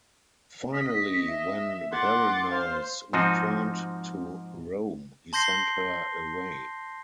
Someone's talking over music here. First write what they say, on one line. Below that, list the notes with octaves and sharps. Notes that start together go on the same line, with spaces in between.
Finally, when Berenice returned to Rome, he sent her away.
D#5 B6
E5
F#5 C6 D6 A6
C5 F5
G#2 F3 C4 D#4 F#4
A5 C6 G6 A#6 C7 G7